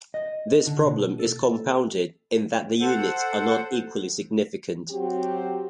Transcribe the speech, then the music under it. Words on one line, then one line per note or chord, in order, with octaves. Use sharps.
This problem is compounded in that the units are not equally significant.
D#5
D3
B2
A4
A4 C5 F#5
F#3 C4 F#4 G4